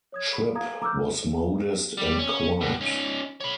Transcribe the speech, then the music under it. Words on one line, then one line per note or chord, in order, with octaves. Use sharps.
Tripp was modest and quiet.
C#5 D#6 G#6
B5
F5 A#5 D#6 G#6
A#5 D6 E6 F6 G6
G3
C#4
G2 B2
C#4 D#4
C#5 B5